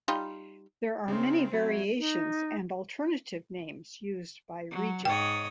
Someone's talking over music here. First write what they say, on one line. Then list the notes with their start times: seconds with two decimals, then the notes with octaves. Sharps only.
There are many variations and alternative names used by region.
0.08 G3 D#4 F4
1.08 C#3 C4 D#4 C6
1.53 F#3 E5 B5 G#6
1.99 D#4
4.71 F#3
5.05 G#2 C#5 D#5 G5